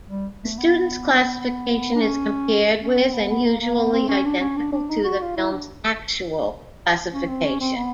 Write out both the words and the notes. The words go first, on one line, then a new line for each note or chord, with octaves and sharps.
The students' classification is compared with, and usually identical to, the film's actual classification.
G3
A3
B3
D4
C#4
C#4
C4
B3
B3
A#3
A#3
B3
C4
C#4
D4
C#4
D4
D4
D#4
F#4
F4
E4
D4
C#4
C4
C#4
C4
B3